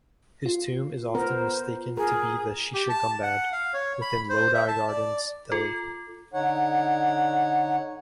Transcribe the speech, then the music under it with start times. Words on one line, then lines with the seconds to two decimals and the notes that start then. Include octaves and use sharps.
His tomb is often mistaken to be the "Shisha Gumbad" within Lodi Gardens, Delhi.
0.46 F4
1.15 B3 A#4 C5
1.97 G#4 A#4
2.74 G4
2.89 A5
3.23 F#5
3.52 F5
3.73 C#5
4.01 B5
4.30 C5
4.54 E5
4.68 A5
4.88 D5
5.52 F4 A4
6.34 D3 D#4 C#5 F#5